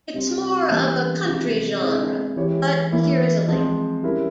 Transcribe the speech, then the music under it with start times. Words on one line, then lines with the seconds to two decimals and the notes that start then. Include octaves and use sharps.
Its more of country genre but here is a link.
0.13 C3 G3 C4
0.70 E3 G3 A#3 C#4 E4
1.24 C3 F3 G#3 E4
1.81 G#3 C4 E4 G#4
2.36 E3 G#3 E4 G4 C#5
2.92 E3 A#3 E4
3.48 F3 G#3 C4
4.03 G3 C#4 E4 A#4